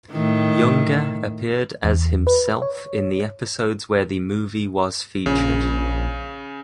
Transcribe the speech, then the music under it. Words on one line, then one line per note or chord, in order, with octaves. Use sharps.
Younger appeared as himself in the episodes where the movie was featured.
A2 D#3
E2
B4
C#5
A#1 C#3